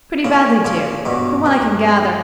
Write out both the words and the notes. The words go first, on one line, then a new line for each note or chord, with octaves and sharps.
'Pretty badly too, from what I can gather.
A#2 C#3
A#2 C#3
G2 B2
G2